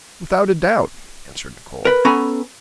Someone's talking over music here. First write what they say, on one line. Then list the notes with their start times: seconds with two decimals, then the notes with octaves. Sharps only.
"Without a doubt!" answered Nicholl.
1.85 A#4 B4
2.05 B3 C#4 A4 G#5 A#5 B5